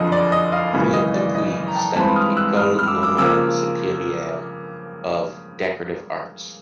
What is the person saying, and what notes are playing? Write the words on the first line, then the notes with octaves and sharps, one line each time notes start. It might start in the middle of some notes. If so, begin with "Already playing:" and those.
Philippe Dupuy studied École Normale Supérieure of decorative arts.
Already playing: F#1 F2 D3 F3 D#5
D5
D#5
D#5 F5
G#1 F#2 C#3 E3
D#5
D5
D#5
A#5
G5 A5
G2 E3 G#3 C4 A5 B5
D#6 F6
E6 F#6
D#6 F6
F6
D6 E6
D6 E6
C#3 F3 A#3 D6 E6